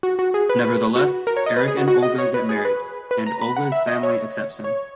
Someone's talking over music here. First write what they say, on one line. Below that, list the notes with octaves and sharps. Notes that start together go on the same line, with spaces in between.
Nevertheless, Eric and Olga get married, and Olga's family accepts him.
F#4
F#4
G#4
B4
B4
F#4
A#4
C#5
D#5
B4
G#4
F#4
F#4
D#5
C#5
B4
G#4
B4
B4
A#5
B5
F#5
E5
D#5
C#5
C#5